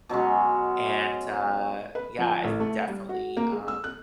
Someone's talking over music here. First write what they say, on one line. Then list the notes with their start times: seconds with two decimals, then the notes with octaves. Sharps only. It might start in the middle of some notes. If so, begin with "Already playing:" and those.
and, uh, yeah, it's definitely, um,
0.09 B2 F#3 G#3 C#4
1.95 B4
2.19 F3
2.44 A1
2.60 A3
2.88 G3
3.09 F#4
3.37 A#3
3.52 G#3
3.68 E6
3.84 F#6